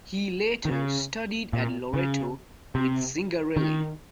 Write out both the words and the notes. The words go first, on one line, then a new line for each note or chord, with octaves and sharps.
He later studied at Loreto with Zingarelli.
D#3
C#3
A#2
C#3
C3
D#3